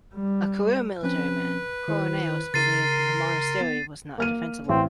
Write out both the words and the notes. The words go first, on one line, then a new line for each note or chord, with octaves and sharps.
A career military man, Koronaios believed that the monastery was not defensible.
G3
F3 C4 C#4 B4
D#3 E4 C5
C#3 A#4 C6 A6 C7 D#7
B3
A#3 F6 D#7
A1 C4